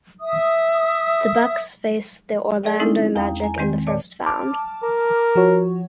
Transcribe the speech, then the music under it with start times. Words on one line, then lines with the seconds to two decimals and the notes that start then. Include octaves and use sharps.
The Bucks faced the Orlando Magic in the First Found.
0.20 E5 D#6
2.63 G#4 A#4 D5 D#5 G5
2.80 G#3 C4 C#4 D#4 E4
3.15 E2 F5 G5 A#5 D#6
3.40 G#5 A#5
3.58 D#3 G3 G#3 C4
3.87 A#2 C#5 D5 A5
4.26 A5 D6 F6
4.83 A#4
5.35 F3 F#4 C#5